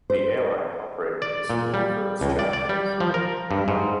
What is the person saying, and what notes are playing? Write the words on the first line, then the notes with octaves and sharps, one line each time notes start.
The airline operated this fleet for its charters.
C5
D5
A#2
G3
C#2
D5
D5
G3
F3
A#4
G2
G#2